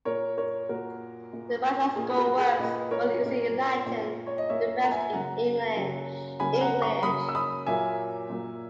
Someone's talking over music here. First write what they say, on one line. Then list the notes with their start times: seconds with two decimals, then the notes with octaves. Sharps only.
The biological works were usually in Latin, the rest in English.
0.05 A#2 A#3 A#4 C#5
0.38 A#4 C#5
0.69 A#2 A#3 F#4 A#4
1.33 A#2 A#3
1.96 A#2 A#3 G#4
2.10 B4
2.17 F#4 A#4
2.38 G#4 B4
2.59 A#2 A#3 B4 D#5
2.91 A#4 C#5
3.23 A#2 A#3
3.86 A#2 A#3
4.27 C#5
4.38 D#5
4.50 A#2 A#3 C#5 E5
4.84 A#5
4.92 E5 G#5
5.13 C#3 F#3 A#3 F#5 A#5
5.76 C#3 F#3 A#3
6.40 C#3 F#3 A#3 G#5 B5
6.61 F#5 A#5
6.82 A#5 C#6
7.03 C#3 F#3 A#3 B5 D#6
7.29 E6
7.35 B5 D#6
7.66 A#2 F#3 A#3 E5 G#5
8.30 A#2 F#3 A#3